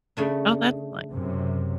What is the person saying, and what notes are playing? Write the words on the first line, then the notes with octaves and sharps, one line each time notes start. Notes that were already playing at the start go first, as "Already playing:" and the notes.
Oh, that's fine.
C#3 A3 D4
F#2 C3